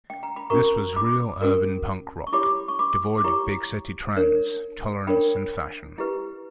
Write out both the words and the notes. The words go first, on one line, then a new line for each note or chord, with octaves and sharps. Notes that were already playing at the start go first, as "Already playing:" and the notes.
This was real urban punk rock, devoid of big city trends, tolerance and fashion.
G5
A#5
B5
C#4 F#4 A#4 A#5 C#6
B5 D6
C#4 F#4 A#4
C#6
E4 G4 C#5 B5 D6
C#6
B5 D6
D6
E4 G4 C#5 A#5 C#6
D4 A#4 C#5
D4 A#4 C#5 G5 B5
E4 G4 B4